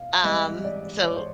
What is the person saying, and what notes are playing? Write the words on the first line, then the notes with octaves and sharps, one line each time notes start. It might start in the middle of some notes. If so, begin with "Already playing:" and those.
um, so
Already playing: B2 F5
G#2 E3 G3 C4 E4 D#5
D5
C#5
C5